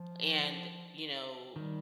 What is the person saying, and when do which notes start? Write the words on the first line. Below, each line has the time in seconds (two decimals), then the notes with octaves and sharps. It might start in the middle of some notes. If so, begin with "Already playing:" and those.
and, you know
Already playing: F3
1.56 D#3 G3